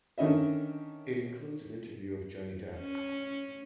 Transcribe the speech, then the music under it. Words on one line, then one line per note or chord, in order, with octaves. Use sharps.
It includes an interview of Johnny Depp.
D3 D#3 C#4 D#5 E5
C#4